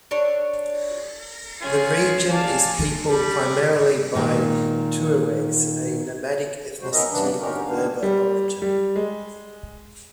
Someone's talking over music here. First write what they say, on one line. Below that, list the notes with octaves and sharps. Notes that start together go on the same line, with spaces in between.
The region is peopled primarily by Tuaregs, a nomadic ethnicity of Berber origin.
D4 A4 C#5
C#4 F4 G#4
D5 F5 G#5 A5
G3
A#2 D#3 G#3
F#3 G#3 F#4 C5
B3 C#4 D#4 A#4 D#5 E5
G2 C#3 E3 B3 D4
D3 C#4 D#4 F#4 G4 A#4
E2 D3 D#3 B3 D4 F5
G3
G3
G#3